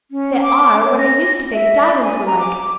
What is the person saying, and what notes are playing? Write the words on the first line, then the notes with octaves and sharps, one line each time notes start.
They are what I used to think diamonds were like.
C#4
D6
C#5
A#6
E5
D5
G#5
A#5
D6